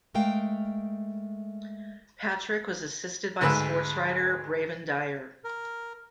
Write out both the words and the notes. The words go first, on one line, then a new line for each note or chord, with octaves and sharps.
Patrick was assisted by sportswriter Braven Dyer.
G#3 A3 A#4 F5 G5
D2 G#2 B4 E6 F#6
A#4